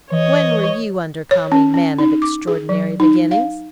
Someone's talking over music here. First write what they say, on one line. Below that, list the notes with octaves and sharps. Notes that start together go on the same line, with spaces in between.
'When were you under Kami, man of extraordinary beginnings?'
E3 C#5 D#5
C#5
C#4
C#4
D#4
D6
G#4
F#3
D#4
F5